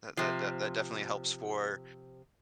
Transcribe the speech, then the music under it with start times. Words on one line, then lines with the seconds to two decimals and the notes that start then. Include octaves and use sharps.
that that that definitely helps for,
0.17 C3 F3